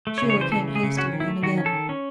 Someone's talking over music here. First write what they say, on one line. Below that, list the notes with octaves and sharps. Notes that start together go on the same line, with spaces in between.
Sheila came hastily in again.
A3
C#5
C#3
C#5
E3 C5
C#3 A4
A3
G#4
C#3
C#4 F#4
D#3
E4
A3
D#3 F#4
C#4
A4
D#3
C#4